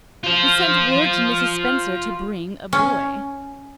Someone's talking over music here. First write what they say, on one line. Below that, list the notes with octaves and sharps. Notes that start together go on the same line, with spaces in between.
"We sent word to Mrs. Spencer to bring a boy."
F4 C5
C#4